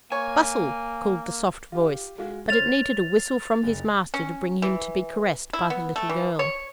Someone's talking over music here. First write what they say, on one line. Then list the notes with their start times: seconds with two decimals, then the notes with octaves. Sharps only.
Bustle!' called the soft voice but it needed a whistle from his master to bring him to be caressed by the little girl.
0.12 A#3 C#5 G#5
1.72 F4 G4
2.18 G#3 F4 F#4
2.49 C5 C#5 F6 A6 F7
3.63 F#1
4.14 C#4
4.62 E3
5.53 E4
5.70 B3
5.96 A3
6.09 E3
6.39 C#5